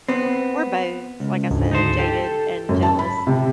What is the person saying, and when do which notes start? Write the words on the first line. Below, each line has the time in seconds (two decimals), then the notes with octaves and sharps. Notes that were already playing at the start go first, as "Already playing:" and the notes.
We're both, like I said, jaded and jealous,
0.09 B3 C4
1.20 C#2
1.51 D2 G#2
1.71 D#4 A4 C5
1.99 G4 A4
2.69 F#2
2.82 A5
2.99 B5
3.27 C3